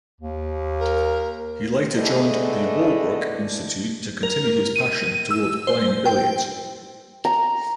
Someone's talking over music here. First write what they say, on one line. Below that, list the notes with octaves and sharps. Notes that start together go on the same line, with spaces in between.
He later joined the Walbrook Institute to continue his passion towards playing billiards.
D#2
A#4
A3 B3 D4 G#4 D#5
A#4
D#7
E6
C5
G5
A#5